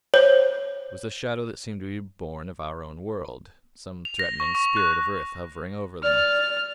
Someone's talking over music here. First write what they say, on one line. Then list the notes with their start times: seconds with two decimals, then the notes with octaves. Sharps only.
It was a shadow that seemed to be born of our own world--some threatening spirit of earth hovering over them.
0.14 C5 C#5
4.05 F7
4.19 A#6
4.40 C#6
4.55 C#6
4.77 F#6
6.03 D5 F6